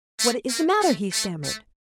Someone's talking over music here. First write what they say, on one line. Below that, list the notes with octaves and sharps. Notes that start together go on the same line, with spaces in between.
"What is the matter?" he stammered.
A3
A#3
A3
A3
A3